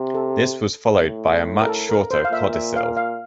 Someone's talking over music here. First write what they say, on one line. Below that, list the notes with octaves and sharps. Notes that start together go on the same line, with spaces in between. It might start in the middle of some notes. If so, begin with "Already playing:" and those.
This was followed by a much shorter codicil.
Already playing: C3
A4
A2
A#4
A4
A#4
C5
F5
A#2 E5
E5
F5
F5